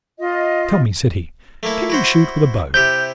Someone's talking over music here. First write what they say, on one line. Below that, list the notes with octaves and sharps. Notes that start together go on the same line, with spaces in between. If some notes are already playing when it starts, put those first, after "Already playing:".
"Tell me," said he, "can you shoot with a bow?"
F4 D#5
A3 A#3 E4
E4 F#4 C5
C3 E4 G4 G6